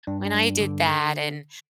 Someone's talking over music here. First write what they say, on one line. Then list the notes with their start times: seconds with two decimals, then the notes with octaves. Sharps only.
when I did that," and
0.07 G2 D4
0.25 D4
0.34 G2
0.60 D3
0.86 D3